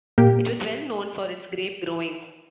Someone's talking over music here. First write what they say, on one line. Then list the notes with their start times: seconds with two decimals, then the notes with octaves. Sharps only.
It was well known for its grape growing.
0.18 A#2 A#3 G4